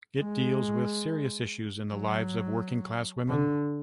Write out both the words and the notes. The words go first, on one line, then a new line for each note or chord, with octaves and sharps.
It deals with serious issues in the lives of working-class women.
G#3
F#3
D3